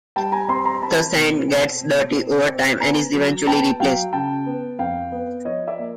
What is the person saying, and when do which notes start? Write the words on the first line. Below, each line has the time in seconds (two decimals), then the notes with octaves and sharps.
The sand gets dirty over time and is eventually replaced.
0.16 G3 G5 A5
0.32 G#5 A#5
0.48 C4 A#5 C6
0.65 A#5 C6
0.82 C4 A5 B5
1.15 B2
1.48 C4
1.81 B2
2.15 C4
2.48 C4
2.80 B3 G#5 A#5
3.14 F#3
3.47 B3 G5 A5
3.80 F#3 F5 G5
4.13 C#3 G5 A5
4.46 B3
4.79 F2 F5 G5
5.12 B3
5.45 F3 C#5 D#5
5.67 D5 E5
5.79 A#3